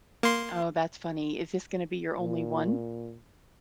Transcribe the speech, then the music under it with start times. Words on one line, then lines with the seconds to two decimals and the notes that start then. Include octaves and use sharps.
Oh, that's funny. Is this gonna be your only one?
0.23 A#3 C6
2.20 A#2